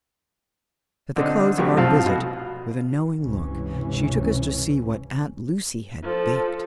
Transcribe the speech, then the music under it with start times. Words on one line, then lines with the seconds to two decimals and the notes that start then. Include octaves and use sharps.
At the close of our visit, with a knowing look, she took us to see what Aunt Lucy had baked.
1.16 D3 C4 D4 D#4
1.58 A#1 F#3 A3 C4 G4 C#6
1.77 C2 F3 C4 F5 A5
2.06 B2
3.22 C#2 G2 C3 E3 C#4
6.03 F3 A4